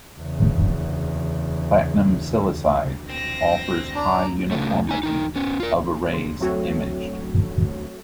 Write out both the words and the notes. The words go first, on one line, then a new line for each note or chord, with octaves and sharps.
Platinum silicide offers high uniformity of arrays imaged.
E2 C#3
C4 A#6
D4 A#5
C#3 A3
D#4 G#5
E3 D#4
B3 C#4
F4 A#4
C#3 C6
F#3 A3 C4 F#4 A4 C#5